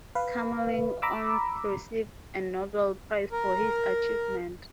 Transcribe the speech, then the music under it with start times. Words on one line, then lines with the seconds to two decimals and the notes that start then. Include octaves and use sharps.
Kamerlingh Onnes received a Nobel Prize for his achievement.
0.15 B4 F5
1.02 A#5 B5 D6 E6
3.32 A#4